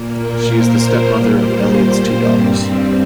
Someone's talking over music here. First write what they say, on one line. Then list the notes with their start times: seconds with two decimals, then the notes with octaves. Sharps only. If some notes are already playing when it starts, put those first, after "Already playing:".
She is the stepmother of Elliott's two daughters.
Already playing: A#2 A#3
0.16 A#4
0.47 C5
0.77 A#4
1.06 A#2 G3 A#3 G4
1.37 C5
2.27 G2 G3 C4